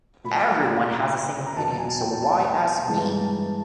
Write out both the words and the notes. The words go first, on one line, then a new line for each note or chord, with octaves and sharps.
Everyone has the same opinion, so why ask me?
A#2 F#3 A3 B5
A#5
A#5
A#5
E2 B2 F#3 A5
G#5
G5
A5
A#5
G2 E3 G#3 A5